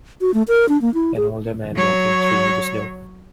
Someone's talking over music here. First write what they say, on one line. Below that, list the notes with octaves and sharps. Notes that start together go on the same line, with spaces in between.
An older man walking through the snow.
F#4
A3
A#4
D4
A#3
E4
G#4
F#3 C#5